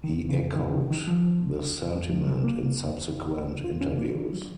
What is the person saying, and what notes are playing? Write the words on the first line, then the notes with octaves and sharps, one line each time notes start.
He echoed this sentiment in subsequent interviews.
D#3
C#3
D#3
D#3
D#3
F3
F3
F#3
A#3
F4
C#4
A#3
D#3
F#3